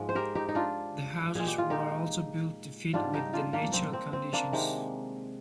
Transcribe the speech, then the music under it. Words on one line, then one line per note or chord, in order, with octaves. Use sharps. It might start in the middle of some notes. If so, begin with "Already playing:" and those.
The houses were also built to fit with the natural conditions.
Already playing: G#2 F3 G#3
C5
G4 A#4
D#4 G4
D#4
D4 F4
A#2 G#3 G#4
G4
F4
D#4 G4
G#2 G3 D4 F4
D#4 G4
D4 F4
A#3 D4
C4
C4
C4
A#3 D4
C3 D#3 G#3